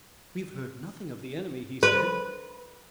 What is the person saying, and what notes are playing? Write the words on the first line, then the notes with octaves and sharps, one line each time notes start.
"We have heard nothing of the enemy," he said.
B4